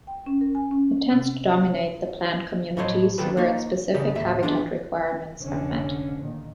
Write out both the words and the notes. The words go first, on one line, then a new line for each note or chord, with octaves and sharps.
It tends to dominate the plant communities where its specific habitat requirements are met.
G5
C#4
A#4
G#5
C#4
C3
C#5
A2 F#3 A4 C5 C#5 D#5
D#3 F#3 F4 G4 A4 B4
A#3 D#4 C#5
C#3 E3 G#3 G4 A4
D#2 A2 E5
E3 F3 G#3 B3 D4 F4
F1 D3 C#4
A#2 D#3